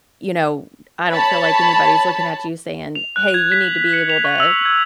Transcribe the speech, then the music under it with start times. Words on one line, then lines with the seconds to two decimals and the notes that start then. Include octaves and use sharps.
you know, I don't feel like anybody's looking at you saying, "Hey, you need to be able to,"
1.10 C#5 A5 B5
2.95 F7
3.16 F#6
3.34 G#6
3.52 B6
3.64 F#7
3.93 C#7
4.10 F7
4.25 C#6
4.40 E6
4.65 G#6